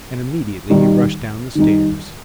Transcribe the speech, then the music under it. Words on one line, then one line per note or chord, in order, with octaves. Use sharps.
And immediately he rushed down the stairs.
D#3 G3 D#4
D#3 G3 D#4